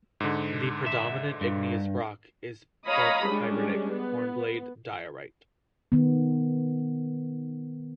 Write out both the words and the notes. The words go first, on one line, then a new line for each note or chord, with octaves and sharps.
The predominant igneous rock is porphyritic hornblende diorite.
G#2 D3
E5
G2
C#5 D#5 F5 A#5 B5 D#6
G3 G#3 C#4 D4
B3
D#3 B3